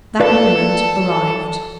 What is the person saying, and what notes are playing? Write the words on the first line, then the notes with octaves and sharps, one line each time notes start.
That moment arrived.
A4 B4 D5 F5